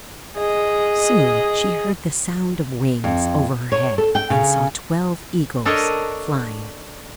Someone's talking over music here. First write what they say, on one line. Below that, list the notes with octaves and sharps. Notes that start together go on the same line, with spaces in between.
Soon she heard the sound of wings over her head, and saw twelve eagles flying.
G#4 D#5
F2
C#5
A4
G5
C#3
D4 A4 A#4 C#5 D#5